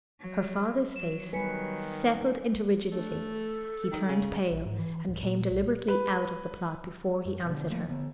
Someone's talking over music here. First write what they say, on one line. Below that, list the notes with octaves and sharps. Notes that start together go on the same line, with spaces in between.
Her father's face settled into rigidity, he turned pale, and came deliberately out of the plot before he answered her.
F#3
F#3 E7
D#3 G3 B4 G#5 B6 C#7
A3 D4
A4
D#3
C#3
A#1
G#2
E3
D1
A#2
B1
B4
F#2
B2 D3
F3 F#3 A3 A#3
D3 B3